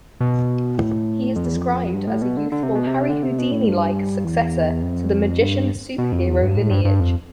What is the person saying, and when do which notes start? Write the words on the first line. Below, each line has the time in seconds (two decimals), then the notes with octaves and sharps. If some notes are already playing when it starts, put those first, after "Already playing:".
He is described as a youthful Harry Houdini-like successor to the magician super-hero lineage.
0.20 B2
0.78 A2
1.36 F2
1.45 E2
1.56 F2
1.94 G2
2.07 A2
2.22 B2
2.37 D3
2.52 D3
2.63 C3
2.75 B2
2.87 C3
3.10 D3
3.23 C3
3.38 B2
3.52 A2
3.67 G2
4.25 E2
4.82 F2
5.41 G2
5.98 B2
6.12 F2
6.27 E2
6.42 G2
6.57 A2
6.71 G2
6.85 G2
7.00 F2